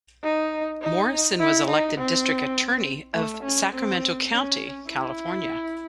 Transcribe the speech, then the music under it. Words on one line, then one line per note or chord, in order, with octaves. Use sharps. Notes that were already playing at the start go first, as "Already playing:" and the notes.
Morrison was elected district attorney of Sacramento County, California.
D#4
D#4
E4
D#4
C4
A3
C#4
C4
C#4
E4